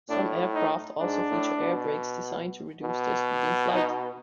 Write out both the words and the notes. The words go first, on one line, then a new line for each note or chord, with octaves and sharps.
Some aircraft also feature air brakes designed to reduce their speed in flight.
A2 D4
D#4
G#2 D4
A2
B2
B2
D#4